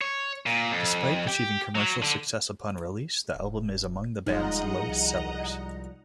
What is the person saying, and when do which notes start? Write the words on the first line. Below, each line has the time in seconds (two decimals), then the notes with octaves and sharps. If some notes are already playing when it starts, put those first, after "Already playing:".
Despite achieving commercial success upon release, the album is among the band's lowest-sellers.
0.01 C#5
0.46 A#2
0.71 F2
1.27 G4
1.75 F#3
2.02 D3
3.35 D#1
4.26 D#1 F3 G3 G#3 D#4 D#5 F#5 A#5
4.88 C2